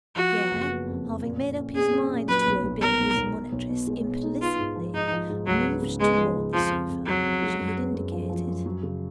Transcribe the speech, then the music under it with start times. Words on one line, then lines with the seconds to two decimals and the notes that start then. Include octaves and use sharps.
Pierre, having made up his mind to obey his monitress implicitly, moved toward the sofa she had indicated.
0.16 F3 F#4
0.33 B3
0.51 F#1
0.69 B3
0.87 F2
1.04 F2
1.22 A#2
1.39 A#2
1.57 C#4
1.75 A#2 G#4
1.92 C#4
2.11 A#2
2.28 F#3 B4
2.46 B1
2.63 B1
2.81 B2 A#4
2.99 B1
3.16 B1
3.35 B2
3.52 B1
3.69 B2
3.87 G#3
4.05 B2
4.23 D#4
4.40 B3 F4
4.59 G#2
4.76 F3
4.94 G#2 D#4
5.12 F3
5.29 G#2
5.46 C#2 F#3
5.65 B3
5.82 C#3
6.00 G#3 B3
6.17 F3
6.35 C#2
6.53 F2 F3
6.70 F2
6.88 F2
7.06 F2 F#3
7.23 F2
7.42 G#3
7.59 F#2
7.77 B3
7.94 F#2
8.12 F3
8.30 F3
8.47 F#2
8.66 F#3
8.83 C#3